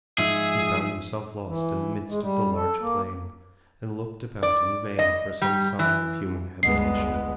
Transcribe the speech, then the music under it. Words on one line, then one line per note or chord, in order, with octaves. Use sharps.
He found himself lost in the midst of the large plain, and looked about in vain for some sign of human habitation.
G#2 F3 D#4 G#4 E5
E3
G#3
G3
A4
A#3
D5
D#5
G3
E3
G1 D2 G#3 B3 D#5 F#5 D#6 C7